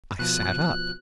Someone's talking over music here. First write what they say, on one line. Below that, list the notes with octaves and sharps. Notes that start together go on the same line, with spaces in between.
I sat up.
B2 F3 F#6